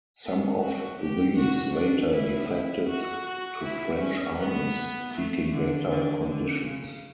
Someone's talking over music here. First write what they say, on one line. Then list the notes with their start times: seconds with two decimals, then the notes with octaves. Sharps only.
Some of these later defected to French armies seeking better conditions.
0.23 B3
0.62 F#4
1.00 G4
1.37 F#4
1.75 D4
2.12 E4
2.50 E4
2.88 F#4
3.26 F#4
3.63 E4
4.01 C#4
4.38 B3
5.14 A3
5.52 D3
5.89 D3
6.27 D3
6.64 C#3